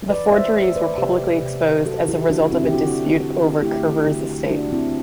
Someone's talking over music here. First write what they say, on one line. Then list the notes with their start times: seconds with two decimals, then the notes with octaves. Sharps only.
The forgeries were publicly exposed as a result of a dispute over Curvers' estate.
0.09 E3 B4 D5
0.32 C5 E5
0.54 A3
0.76 B4 D5
0.98 C3 G4 B4
1.42 C3
1.86 F#3 F#4 A4
2.08 E4 G4
2.30 A3 D4 F#4
2.52 C4 E4
2.64 G4
2.74 D3 D4 F#4
3.19 D3
3.62 A3 E4 G4
4.06 D3 D4 F#4
4.50 A3 D4 F#4
4.73 C4 E4